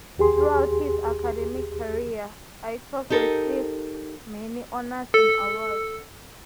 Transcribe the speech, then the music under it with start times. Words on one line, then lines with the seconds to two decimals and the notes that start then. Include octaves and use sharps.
Throughout his academic career, Aycock received many honors and awards.
0.18 D#2 G4 G#4 C6
3.10 D#4 G4 A4 A#4
5.14 A4